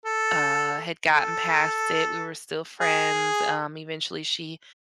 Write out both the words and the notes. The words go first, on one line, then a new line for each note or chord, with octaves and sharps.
uh, had gotten past it, we were still friends, um, eventually she
A4
A4
G#4